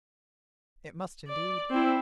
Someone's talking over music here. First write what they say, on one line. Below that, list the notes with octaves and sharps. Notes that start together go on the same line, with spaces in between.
It must indeed.
D5
C4 E4